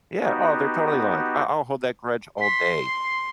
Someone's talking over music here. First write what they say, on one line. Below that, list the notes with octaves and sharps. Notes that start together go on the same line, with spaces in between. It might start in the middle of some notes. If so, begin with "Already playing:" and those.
Yeah, oh, they're totally lying I I'll hold that grudge all day,
B3 D#4 F#4 G4
C6 B6
C7